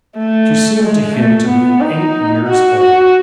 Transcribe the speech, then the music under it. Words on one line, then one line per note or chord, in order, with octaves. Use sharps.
She seemed to him to be eight years old.
A3
G#3
A3
B3
D#4
F#4
F#4